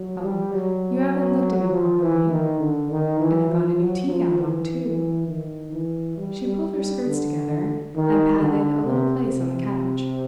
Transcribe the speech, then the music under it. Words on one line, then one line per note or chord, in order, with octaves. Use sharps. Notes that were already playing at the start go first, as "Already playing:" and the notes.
"Oh, you haven't looked at me properly, and I've got a new tea-gown on, too." She pulled her skirts together and patted a little place on the couch.
Already playing: F#3
G3
F#3
F3
E3
D#3
D3
D#3
E3
F3
F#3
F3
E3
E3
D#3
E3
G3
G3
G3
D3
D#3
D3
C3
C3